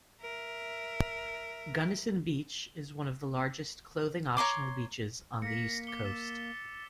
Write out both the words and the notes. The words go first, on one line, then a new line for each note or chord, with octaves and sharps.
Gunnison Beach is one of the largest clothing optional beaches on the East Coast.
A#4 E5
C#5 A#5 C6 D6
A#3 A#6 B6 C#7
D6 C#7 G7
E6 A6 E7